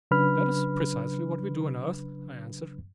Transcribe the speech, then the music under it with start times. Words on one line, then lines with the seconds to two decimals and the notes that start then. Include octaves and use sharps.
"That is precisely what we do on Earth," I answered.
0.11 C#3 F#3 D4 B4 B5 F6